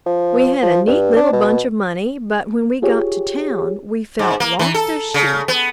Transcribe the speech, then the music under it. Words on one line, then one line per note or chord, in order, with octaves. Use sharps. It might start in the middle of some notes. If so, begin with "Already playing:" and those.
We had a neat little bunch of money, but when we got to town we felt lost as sheep.
F3
F3
G2
D4
B2
F4 G4 G#4 C#5
G#2
A#3
E3
A4
C#3
B3